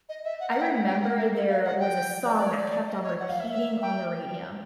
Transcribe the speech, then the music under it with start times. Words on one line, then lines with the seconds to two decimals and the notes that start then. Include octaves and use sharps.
I remember there was a song that kept on repeating on the radio,
0.09 D#5
0.24 E5
0.40 F#5
0.50 F#5
0.61 G5
0.71 F#5
0.86 G5
1.02 F#5
1.18 E5
1.33 E5
1.49 F5
1.64 F#5
1.80 G5
2.26 D5
2.36 D5
2.47 C#5
2.57 D5
2.88 D#5
3.03 C#5
3.20 F#5
3.29 F5
3.40 E5
3.50 E5
3.82 G5